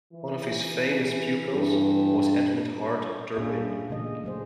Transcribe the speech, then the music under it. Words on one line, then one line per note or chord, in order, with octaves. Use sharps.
One of his famous pupils was Edmund Hart Turpin.
E3
G2
A#2 C#4 D4 F4 G#4 E5
A#2 C#3 E3 A3 G#4 D#5
F#3 A3 G#4 C5